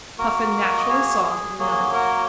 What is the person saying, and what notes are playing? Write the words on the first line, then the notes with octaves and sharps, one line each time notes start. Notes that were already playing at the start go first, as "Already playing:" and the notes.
Puffin naturally saw it in another light.
A#3 F#4 A#4
D#5
G#4 C#5
G#4
F#3 A#3 F#4 G#4
F#4 A#4